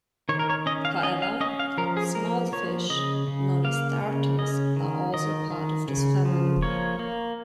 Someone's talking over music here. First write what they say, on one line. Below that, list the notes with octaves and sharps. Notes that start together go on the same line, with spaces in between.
However, small fish known as darters are also a part of this family.
D#3 C#5
A#4
C#5
C#4 D#5
F5
C#4 D#5
F5
C#4 D#5
F5
F3 A#4
G#4
A#3 A#4
F3 C#5
C#3 D#5
C#3
A#3 F5
C#3
C#4 D#5
D#3
D#3 D#5
D#3
C#3
F3
A#3 C#5
A#3